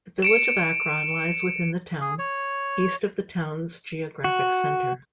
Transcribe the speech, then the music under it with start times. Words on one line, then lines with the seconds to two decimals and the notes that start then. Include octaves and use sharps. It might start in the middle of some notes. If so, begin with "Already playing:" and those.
The village of Akron lies within the town, east of the town's geographic center.
0.22 C#7 D7 E7
2.01 G#4
2.19 C#5
4.24 F#4